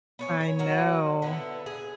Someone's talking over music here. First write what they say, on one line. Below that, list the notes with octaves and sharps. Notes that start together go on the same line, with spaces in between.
I know.
B3 C#5 G#5
C#5
F#3 A#3 F#4
D3 B3 E4
G#4